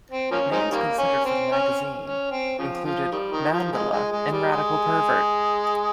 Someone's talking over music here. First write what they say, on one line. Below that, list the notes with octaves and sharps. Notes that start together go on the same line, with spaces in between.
Names considered for the magazine included "Mandala" and "Radical Pervert".
C4
F3 A#3 C#4
G#3 C4 D#4
D#3 G3 A#3
C#4
C4
C#4
C#4
C4
C#3 F3
F3
D#3 G3
D#3
F3
G#3
G#3
G#3
G3
G#3